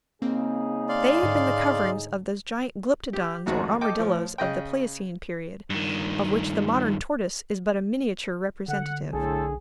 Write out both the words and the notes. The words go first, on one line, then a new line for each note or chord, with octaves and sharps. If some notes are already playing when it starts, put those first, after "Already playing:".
They had been the coverings of those gigantic glyptodons or armadilloes of the pleiocene period, of which the modern tortoise is but a miniature representative.
C#3 A#3 C4 D#4 G#4
D5 F5 C6
G#2 D3
G4
F2 G#2 D#3 A3 F#4
A4 D#5 G5 D6
A2 F3
C#3 D#5 G5
G2 D#3
D3 F#5
B1 A2 D3 C4 G#4 A4